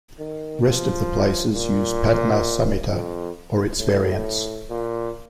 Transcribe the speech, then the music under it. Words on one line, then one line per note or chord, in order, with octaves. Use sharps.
Rest of the places use Padma samhita or its variants.
D#3
F3
A#2
F2
A2
A#2